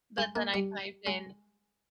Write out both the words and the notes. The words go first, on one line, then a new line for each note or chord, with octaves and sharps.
But then I typed in
G#3
A#3
G3
G#3